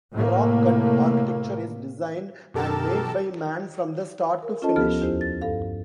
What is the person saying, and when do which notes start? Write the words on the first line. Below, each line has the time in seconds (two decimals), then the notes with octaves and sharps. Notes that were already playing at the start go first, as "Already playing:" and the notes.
Rock-cut architecture is designed and made by man from the start to finish.
0.13 A2 C3 A3 A#3
2.54 F#2 B2 G4 A4 A#4 A5
4.43 A#4
4.62 C#4 F4 A4 C5 D#5 A5
4.76 D2 F3 B3 G4 A4 F6
5.02 E2 E4 G4 C5
5.21 A6
5.42 G2 A4 F5